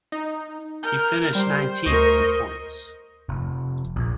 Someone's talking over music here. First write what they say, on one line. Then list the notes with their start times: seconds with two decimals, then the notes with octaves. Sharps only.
He finished nineteenth in points.
0.12 D#4
0.83 A#4 G6
1.35 G3 C5
1.86 D2 A#4 D#5 C#6
3.29 F1
3.96 A#1